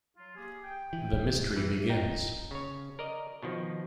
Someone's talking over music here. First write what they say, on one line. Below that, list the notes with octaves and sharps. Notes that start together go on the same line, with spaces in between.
The Mystery Begins.
F#3 F4
A#3 G4 G#4
G5
E3
E3
D#4 G5 A#5
C#3 C#5
A#4 D5 D#5
B2 D#3 F3